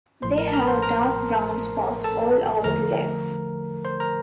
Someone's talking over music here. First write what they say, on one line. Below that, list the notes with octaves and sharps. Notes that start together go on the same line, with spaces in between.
They have dark brown spots all over the legs.
A1 A2 F3 A3 C5 C6
A#4 A#5
A5
A#4 A#5
C5 C6
A#4 A#5
A4 A5
E2 D3 F3 A3 A#4 A#5
C5 C6
A#4 A#5